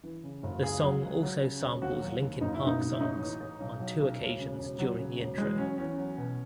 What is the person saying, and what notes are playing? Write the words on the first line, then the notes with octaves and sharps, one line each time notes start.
The song also samples Linkin Park songs on two occasions during the intro.
E3
C#3
F#1
C#2 G#4
F#3
C#2
F#3
C#3
E1
D#2 F#4
F#3
D#2
F#1 D#4
E4
B2
D#4
F#1
E4
A1 D#4
E3
A1
B1
F#3
B1
E1
C#3
E1
F#3
C#3
E1
E2 G#3
F#3 C#4
E2 C#4
F#3
B2